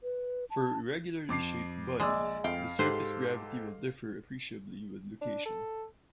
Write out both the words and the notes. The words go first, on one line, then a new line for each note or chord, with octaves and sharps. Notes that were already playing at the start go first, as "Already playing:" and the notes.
For irregularly shaped bodies, the surface gravity will differ appreciably with location.
B4
A5
F2 D6 C7
A#1 G#3 D5 E6
F2 F5 G5
G#2 G4 A4 B4 C5
D4
A4